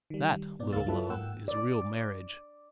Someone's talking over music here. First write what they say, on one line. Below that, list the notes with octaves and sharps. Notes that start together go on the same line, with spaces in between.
That, little Love, is real marriage.
D#3 G3
A#2 B3 D5
C#2 F#2 A#3 F5 E6 A6
F#3 E4 F4 A4 B4 E5
G#2 A#3 F#5 G5 E6
D5